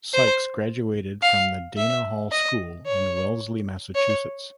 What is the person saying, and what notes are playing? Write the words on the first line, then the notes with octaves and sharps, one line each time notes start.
Sykes graduated from the Dana Hall School in Wellesley, Massachusetts.
C5
F5
E5
D#5
C#5
C#5